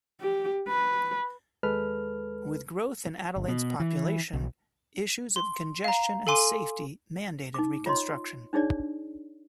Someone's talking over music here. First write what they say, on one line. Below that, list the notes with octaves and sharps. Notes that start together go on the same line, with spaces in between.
With growth in Adelaide's population issues of congestion and safety mandated reconstruction.
G4
B4
D#2 G#3 A4 B4 F6
G1
B2
E3
B1
C6
F5 A#5
A4 F5 G#5 C6 D6 D#7
D#4 D6
F4 C#5 D#5 C6
D4 D#4 G#4 C#5 D5